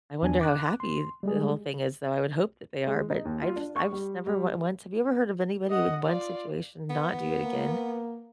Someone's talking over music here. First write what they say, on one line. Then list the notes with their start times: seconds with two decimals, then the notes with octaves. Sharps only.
I wonder how happy the whole thing is, though, I would hope that they are, but I was I was never w went have you ever heard of anybody with one situation not do it again?
0.23 E2 D4 G#5
0.41 D6 F#6
0.80 C6
1.23 G3 G#3 G#4
2.87 G#3
3.10 D#4
3.25 D#2
3.42 F4
3.56 D4
3.76 C#6
3.92 G3
4.27 G3
5.70 D#5 F#5
6.04 F4 D5
6.90 B3
7.41 A#3